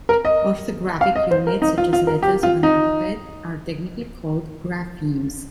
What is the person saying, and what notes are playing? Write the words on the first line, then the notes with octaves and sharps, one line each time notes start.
Orthographic units, such as letters of an alphabet, are technically called graphemes.
A#4
D#5
F5
D#5
C5
A#4
D#4
F4
F4
A#4
G4
F4
D#4